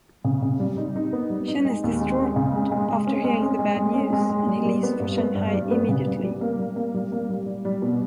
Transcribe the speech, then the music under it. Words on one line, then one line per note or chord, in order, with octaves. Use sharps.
Chen is distraught after hearing the bad news and he leaves for Shanghai immediately.
C#3
C#3
G3
D#4
D#4
B3
G3
D#4
G#3
D#2
G#3
C#4
C#3
G#3
G#3
G#3
C#4
G#3
C#4
G#3
G#3
C#4
G#3
G#3
G3
G3
B3
G2
B3
G2
G3
B3
C#3
G3
G3
A#3
G3
A#3
G3
A#3
G3
G3
G3
B2